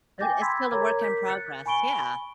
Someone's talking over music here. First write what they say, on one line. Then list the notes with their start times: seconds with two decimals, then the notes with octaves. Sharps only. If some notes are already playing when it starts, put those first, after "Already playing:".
But it's still a work in progress, yeah,
0.20 G5 G#5 D6 G6 A6 A#6
0.41 B5 C6 E6 G#6 A6 B6
0.71 A#4 C#5 A#5 D6 G#6
0.99 A#4 G6 B6
1.27 F#6 A6 C#7
1.66 G#5 B5 C#6 D7 G7